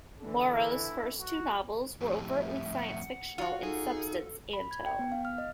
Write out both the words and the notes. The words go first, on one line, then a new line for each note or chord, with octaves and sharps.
Morrow's first two novels were overtly science-fictional in substance and tone.
D3 E3
E4
F#4
F2 A2 G4
E5
F#5
F4 F#4 F5
D#4 G#4 A4
B5
G#6
G5
B3
F5
F6
D#5